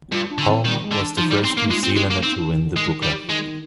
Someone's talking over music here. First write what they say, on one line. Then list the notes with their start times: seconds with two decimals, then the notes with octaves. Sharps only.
Hulme was the first New Zealander to win the Booker.
0.12 G2 F4
0.30 D4
0.38 D3
0.47 C4
0.65 D#3 G3
0.83 G#3
0.92 D3
1.00 D4
1.18 F3 D#4
1.31 G3
1.44 C4
1.58 A#3
1.60 D#4
1.70 G#3 F4
1.84 C4 F4
1.96 G#3 G4
2.11 A#3
2.23 C4 D#4
2.37 D4
2.50 D#3
2.63 D3
2.76 D#3 G#3
3.03 G3
3.23 F3
3.29 D#3 G#3